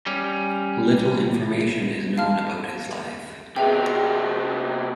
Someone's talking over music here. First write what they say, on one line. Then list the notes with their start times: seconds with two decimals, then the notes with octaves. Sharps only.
Little information is known about his life.
0.06 G3 C#4
2.18 F5 A5 F6
3.56 C3 B3 G#4 E5 G5